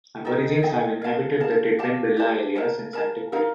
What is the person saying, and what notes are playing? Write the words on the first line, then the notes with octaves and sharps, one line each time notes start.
Aborigines have inhabited the Tidbinbilla area since antiquity.
D#4 A4 D#5 G5
D#4 A4 D#5 G5
A#4 F5 A5
A#4 F5 A5
G4 D5 F5 A5
G4 D5 F5 A5
A#4 F5 A5
A#4 F5 A5
D#4 A#4 F5